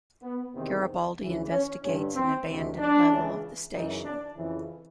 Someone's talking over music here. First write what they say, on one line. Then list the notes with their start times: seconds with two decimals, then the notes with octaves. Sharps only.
Garibaldi investigates an abandoned level of the station.
0.23 B3
0.55 E2 C3 D#3 C4
1.19 D2 C#3 E3
1.51 C#4
1.82 G2 D3 C#4
2.14 C4
2.46 D2 C3 D#3
2.78 D4
3.10 C#2 C#3 E3
3.73 F#2 C#3 E3 D#4
4.04 D4
4.36 F2 C#3 E3